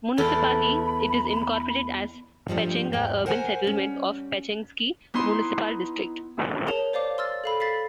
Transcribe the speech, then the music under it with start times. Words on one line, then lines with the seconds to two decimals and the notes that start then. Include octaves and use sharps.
Municipally, it is incorporated as Pechenga Urban Settlement of Pechengsky Municipal District.
0.18 E2 A4 B5
2.48 G2 F3 G3 A3
2.93 E2 G#2 G5
3.26 A#4 C5 F#5 G#5
3.64 G3 C#4
5.14 B3 D#4 E4 C6
6.67 G#4 A#4 C#5 A5 F7
6.93 C5 D5 F5 D6
7.18 C6 E6 F6 A6
7.44 A4 F5 B5
7.60 A6 B6 C7